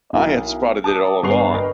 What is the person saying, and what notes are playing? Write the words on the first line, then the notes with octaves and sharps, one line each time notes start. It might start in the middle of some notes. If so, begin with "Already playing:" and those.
I had spotted it all along.
B1 E4 A#4
A5 D6 D#6
G1 G2 B3 C#6 C7 F7
A#4 B4 D5 D#5 G5